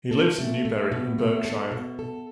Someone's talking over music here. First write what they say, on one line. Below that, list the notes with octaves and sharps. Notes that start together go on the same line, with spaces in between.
He lives in Newbury in Berkshire.
A4
A3
A3
B2
A3
A4
B2
A4